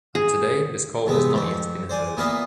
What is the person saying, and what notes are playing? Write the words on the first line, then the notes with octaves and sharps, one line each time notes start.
And today, this call has not yet been heard.
G#4
C3 G#3 B3 C4
F2 C4
C5 D5 G#5
A#2 B3 E4 A#4 D#5 F5